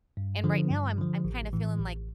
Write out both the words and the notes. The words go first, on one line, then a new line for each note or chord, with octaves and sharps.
And right now, I'm I'm kinda feeling like
G2
D3 F3
G2
D3 F3
A1
A2 E3
A1